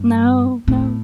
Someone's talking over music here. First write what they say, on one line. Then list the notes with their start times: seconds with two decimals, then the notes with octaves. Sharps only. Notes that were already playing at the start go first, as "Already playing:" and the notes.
No. No.
Already playing: G2
0.68 A2